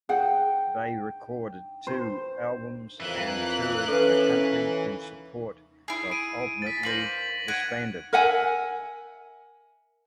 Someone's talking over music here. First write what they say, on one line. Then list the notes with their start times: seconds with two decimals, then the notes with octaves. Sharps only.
They recorded two albums and toured the country in support but ultimately disbanded.
0.09 G#4 F#5 G5
1.87 C5
3.00 F2 E3 A#4 F5 F#6
3.88 C#4 A4 B4
5.88 E4 G#4
6.11 D7 D#7
6.62 A6 B6
6.83 A#3 C5 A#6 F#7
7.48 F#5 G#6 D7 D#7
8.13 A#4 E5 F#5 G#5